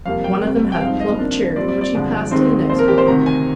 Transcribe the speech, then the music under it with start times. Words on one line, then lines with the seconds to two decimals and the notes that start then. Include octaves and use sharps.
One of them had a plump cherry which he passed to the next one.
0.06 F2 C3 G3 A#3 F5
0.24 G5
0.43 C2 C3 G3
0.72 G5
0.81 G2 F3 G#3 C4 D#4 F5
1.00 D#5
1.18 C3 F3 A#3 D4
1.56 A#2 G3 C4 D5
1.69 D5
1.81 D5
1.94 G2 D3 F3 G#3
2.31 D#2 D#3 G#3 C4 D#4
2.70 A#2 F3 C4 C5
2.79 A#4
2.88 G4
2.98 C5
3.07 D2 C3 D#3 A#5
3.26 G#5